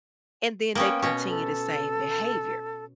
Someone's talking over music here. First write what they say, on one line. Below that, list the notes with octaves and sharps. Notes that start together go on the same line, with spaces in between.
and then they continue the same behavior.
A#3 B3 C#4 G5
B2 C#4
A4